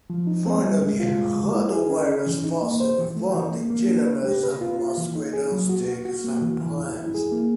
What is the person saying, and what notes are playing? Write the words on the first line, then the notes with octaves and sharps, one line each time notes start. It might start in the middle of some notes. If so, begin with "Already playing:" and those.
Finally, rhabdovirus "fossils" were found in the genomes of mosquitoes, ticks, and plants.
F3
D#4
C4
G3
G#3
F4
G#3
G#3
E4
G#4
C#4
C#4
E3
D#4
A#3
C5
E3
A3
E3
A#3
A#3
D4
B4
G4
B4
F4
F4
E3
D#4
G#4
F#3
F#4
F#4
F#4
A#3
E3
E3
E4
E4
G#4
A#3